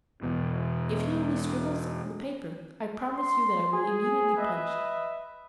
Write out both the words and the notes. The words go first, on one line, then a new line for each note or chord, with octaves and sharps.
If he only scribbles the paper, I promise you that I will immediately punish him.
E2 B2
C6
G#4
B4 D#5 E5